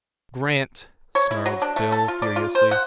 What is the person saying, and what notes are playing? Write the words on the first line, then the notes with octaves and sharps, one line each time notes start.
"Grant!" snarled Phil furiously.
C#5
E4
F#3
D4
A3
A4
F4
D5
F4
C5
F#5